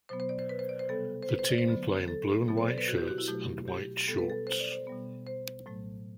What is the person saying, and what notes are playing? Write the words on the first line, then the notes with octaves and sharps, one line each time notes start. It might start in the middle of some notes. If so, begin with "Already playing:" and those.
The team play in blue and white shirts and white shorts.
B2 F#3 B3 C5
C5
D5
C5
B4
C5
D5
C5
C3 G3 B3 A4
C5
B4
C5
D5
C5
D3 F#3 B3
A4
B2 F#3 B3 A4
C5
D5
B4
F#4
G4
F#4
E4
B2 F#3 A3 G4
G4
B2 G3 B3 A4
B4
A4
C5
D5
C5
B2 G3 B3
C5
A2 F#3 A3